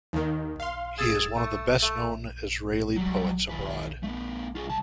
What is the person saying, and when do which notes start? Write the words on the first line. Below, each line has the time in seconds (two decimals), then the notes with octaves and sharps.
He is one of the best known Israeli poets abroad.
0.13 D#2 D#3
0.60 F5 C6
0.98 G#4 E6 A6 E7
1.36 A3
1.82 A3
2.96 F#3 G3
3.49 D#2 B4
4.03 A3 B3
4.55 F4 G#4
4.67 C2 A5